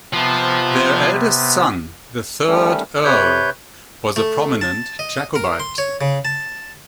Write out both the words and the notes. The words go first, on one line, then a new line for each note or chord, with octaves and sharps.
Their eldest son, the third Earl, was a prominent Jacobite.
C3 F3 B3
D#3 G3 A3 C#4
C3 B4 C#5 G6
A3
A5
D#5
A#4
C6
C#5
C#3
A5